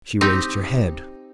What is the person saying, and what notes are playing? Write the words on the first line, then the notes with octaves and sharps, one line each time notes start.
She raised her head.
C4 D#4 G4